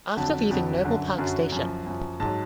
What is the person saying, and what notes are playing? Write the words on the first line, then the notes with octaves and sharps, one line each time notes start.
After leaving Noble Park Station.
F2 D3 F#3 A5
F2 D3 F#3
F#2 D3 F#3
F#2 D3 F#3
F#2 F3
F#2 F3
G#2 F#3 A5